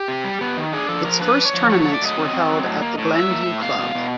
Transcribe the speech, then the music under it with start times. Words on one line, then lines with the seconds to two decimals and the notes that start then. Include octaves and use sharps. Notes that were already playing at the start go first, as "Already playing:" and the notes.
Its first tournaments were held at the Glen View Club.
Already playing: G4
0.08 C3
0.24 G3
0.41 B3
0.57 D#3
0.73 D4 G#4
0.89 F3 A4
1.05 F3 A#4
1.21 D4 B4
1.38 D4
1.45 C#5
1.54 F3
1.70 A3 C#5
1.81 A3 C#5
1.94 D5
2.01 F#3 D#5
2.17 C4
2.33 C4
2.50 F#3
2.66 A2
2.82 A#3
2.98 A2
3.14 F#3 E5
3.30 A#3
3.46 A2
3.62 B2 F5
3.78 B2
3.95 B2